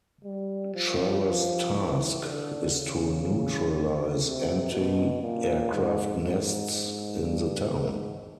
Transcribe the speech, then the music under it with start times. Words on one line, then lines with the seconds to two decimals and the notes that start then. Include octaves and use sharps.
Travers' task is to neutralize anti-aircraft nests in the town.
0.24 G3
0.74 F3
1.24 F3
1.73 E3
2.23 D3
2.73 C#3
4.23 C3
4.72 B2
5.22 A#2
5.72 G#2
6.22 G#2
6.72 G#2
7.21 G2
7.71 G#2